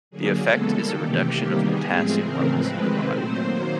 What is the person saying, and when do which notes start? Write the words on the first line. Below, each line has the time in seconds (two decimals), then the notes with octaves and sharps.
The effect is a reduction of potassium levels in the body.
0.11 D3 F#3 A#3 G#4
0.40 C#3 E3 G#3 B3 A4
0.70 D#3 G3 A#3
0.98 C3 E3 A3 G4
1.29 C3 D#3 G3 A#3
1.58 D#3 G3 B3 G#4
1.87 A2 F3 G#3 C4
2.16 C#3 E3 A3 C4 A#4
2.46 A2 F3 G#3 C4 B4
2.76 C3 D#3 G#3 C4
3.05 A#2 F#3 A3 C4 C5
3.35 D#3 F#3 A#3